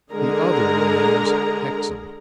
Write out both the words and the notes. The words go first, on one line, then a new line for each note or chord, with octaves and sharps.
The other name's Hexam.'
D3 G#3 G#4 A#4 A#5